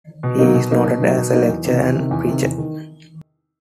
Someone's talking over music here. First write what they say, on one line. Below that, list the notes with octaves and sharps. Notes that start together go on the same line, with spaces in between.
He was noted as a lecturer and preacher.
B2
F#3 A#3 D#4
B2
F#3 A#3 D#4
B2
F#3 A#3 D#4
B2
F#3 A#3 D#4
E2
C3 D#3
E2
C3 D#3
E2
C3 D#3
E2
D#3